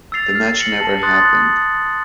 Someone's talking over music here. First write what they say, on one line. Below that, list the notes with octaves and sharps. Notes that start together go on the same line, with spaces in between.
The match never happened.
E6 A6 C7 F7
F6
A#6 C#7 F#7
A5
C6 D#6 F#6 A6
F#6